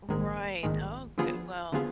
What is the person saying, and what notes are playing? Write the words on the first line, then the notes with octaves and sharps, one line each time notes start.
Right, oh, g well.
A#1 G#2 D#3 G#3
A#1 G#2 D#3 G#3
D3 F3 B3 F4 G#4
D3 F3 B3 F4 G#4